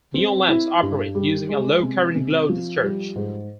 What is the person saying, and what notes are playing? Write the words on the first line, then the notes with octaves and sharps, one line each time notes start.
Neon lamps operate using a low current glow discharge.
C4
E4
G2
G3
G#3
C3
C3
F3
G3
G#2